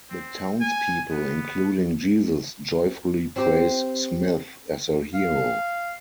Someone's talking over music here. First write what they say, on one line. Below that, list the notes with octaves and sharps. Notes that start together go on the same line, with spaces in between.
The townspeople, including Jesus, joyfully praise Smith as a hero.
C4
G#5
B3
C4 G4 C5
F5